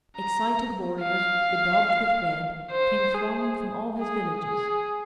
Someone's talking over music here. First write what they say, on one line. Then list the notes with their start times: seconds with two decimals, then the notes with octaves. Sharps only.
Excited warriors, bedaubed with red, came thronging from all his villages.
0.17 A#5
1.02 F5
2.71 C5
3.15 G#4
3.99 G#4
4.42 G#4